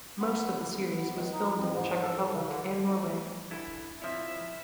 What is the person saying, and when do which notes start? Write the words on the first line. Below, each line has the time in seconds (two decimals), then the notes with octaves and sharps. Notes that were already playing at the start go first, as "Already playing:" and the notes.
Most of the series was filmed in the Czech Republic and Norway.
0.20 B3
0.54 D3
0.73 B3
1.12 C#2
1.33 D#4
1.57 F2
1.74 G#2
2.02 A4
2.32 C#3
2.48 D3
2.87 F2 A3 D#4
3.51 D3 E4 A4 G#5 B5
4.02 F2 F3 C4 E4 C#5 E5